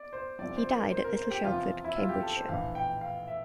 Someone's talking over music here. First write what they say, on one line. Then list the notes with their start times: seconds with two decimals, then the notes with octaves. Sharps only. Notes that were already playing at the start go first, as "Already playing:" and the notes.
He died at Little Shelford, Cambridgeshire.
Already playing: D5
0.13 C5
0.39 C2 C3 F3 D5
0.57 C5
0.74 A#4
0.91 C5
1.04 A#4
1.17 C5
1.30 G4
1.44 E2 C3 F3 F4
1.84 E4
1.96 F4
2.09 G4
2.23 A4
2.36 C5
2.49 A#1 A2 E3 F5
2.75 G5
3.01 F5
3.28 E5